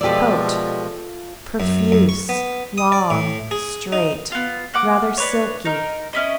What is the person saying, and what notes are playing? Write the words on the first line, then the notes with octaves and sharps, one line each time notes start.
COAT--Profuse, long, straight, rather silky.
B2 F3 G#3 F4 G4 A4 D5 E5
F#2
F#2
C#6
B3
D#6
D5
A2
G#4
D#4
B3 F4
A#3 F#5 D6
D4 B4 C#5
D#4 A#4
C#4 E4 D#5